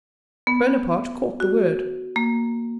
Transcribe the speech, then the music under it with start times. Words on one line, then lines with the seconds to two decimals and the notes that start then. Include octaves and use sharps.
Bonaparte caught the word.
0.47 B3
1.40 F#4
2.16 A#3